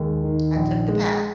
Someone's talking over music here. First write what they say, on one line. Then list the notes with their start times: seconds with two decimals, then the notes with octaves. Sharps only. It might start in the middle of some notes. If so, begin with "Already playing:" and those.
I took the path
Already playing: D#2 G#3
0.23 D#3
0.56 A#1
0.89 G#3